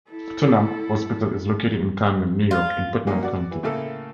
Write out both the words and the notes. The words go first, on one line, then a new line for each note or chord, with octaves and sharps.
Putnam Hospital is located in Carmel, New York in Putnam County.
E4 A4
F4
A#3 C#4 D#4 F#4
F#4 D5
E3
A2 C#3 A3 A#3 A4